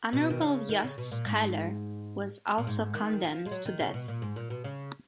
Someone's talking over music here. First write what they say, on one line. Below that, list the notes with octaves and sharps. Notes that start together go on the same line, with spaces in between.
Honorable Yost Schuyler was also condemned to death.
B2
D#3
C#3
D#3
C#3
B2
A#2
G#2
A#2
G#2
D#3
F3
G#3
F#3
D#3
C#3
B2
A#2
G#2
A#2
B2
C#3